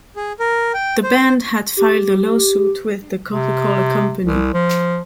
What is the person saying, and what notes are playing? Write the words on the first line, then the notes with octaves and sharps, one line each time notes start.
The band had filed a lawsuit with the Coca-Cola company.
G#4
A#4
G5
C5
G4
C3
C2
F3